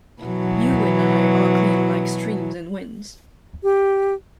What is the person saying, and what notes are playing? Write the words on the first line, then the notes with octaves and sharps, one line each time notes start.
You and I are clean like streams and winds.
B2 E3 F#3
G4